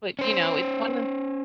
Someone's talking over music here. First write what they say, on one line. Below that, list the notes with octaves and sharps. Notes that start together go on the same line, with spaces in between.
But, you know, it's one of
C#4 C5